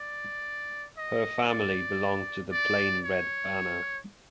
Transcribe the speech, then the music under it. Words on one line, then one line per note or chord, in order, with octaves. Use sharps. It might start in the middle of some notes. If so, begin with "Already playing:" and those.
Her family belonged to the Plain Red Banner.
Already playing: D5
D#5
D5
D5
C#5